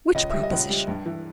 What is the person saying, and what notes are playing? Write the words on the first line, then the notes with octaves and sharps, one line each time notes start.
"Which proposition?"
C#2 D#5
G3 E5
D#5
C#2
G3
G2
E3